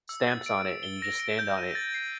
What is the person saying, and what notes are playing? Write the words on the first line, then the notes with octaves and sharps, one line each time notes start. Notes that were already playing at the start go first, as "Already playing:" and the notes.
stamps on it, and you just stand on it,
E6
A6
D7
E6
G7
A#6
D7
G6
D#7
A6
C7